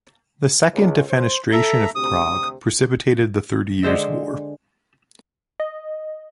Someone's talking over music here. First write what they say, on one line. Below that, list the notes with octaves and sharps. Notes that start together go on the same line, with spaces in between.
The Second Defenestration of Prague precipitated the Thirty Years' War.
C#2
C5
A4 E5 A#5
D2 C3 D#6
D3 G#3 C5 E5
D#5